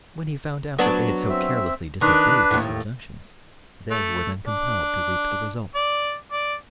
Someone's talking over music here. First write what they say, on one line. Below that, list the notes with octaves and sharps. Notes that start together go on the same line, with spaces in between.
And when he found out that they had so carelessly disobeyed his injunctions, they were then compelled to reap the result.
F#3 B3 D4
C4 E5
D#3 D4 B4
D#2 A2
A3
D4
D5
D5